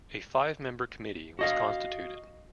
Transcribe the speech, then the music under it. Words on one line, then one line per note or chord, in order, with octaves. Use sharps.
A five-member committee was constituted.
F#4 D#5 F5